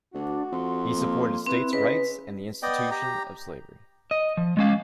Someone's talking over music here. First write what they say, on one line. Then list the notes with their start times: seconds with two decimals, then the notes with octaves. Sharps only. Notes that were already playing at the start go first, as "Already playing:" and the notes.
He supported states' rights and the institution of slavery.
0.14 D2 D4 F#4
0.52 F2 C6
0.94 A#3
1.46 C4 E4 B4
1.73 C#3 B4 D#5
2.63 B3 D5 D#5 G5
2.91 G4 A#5
4.11 D#5
4.37 F3
4.57 G#3 C#4 F5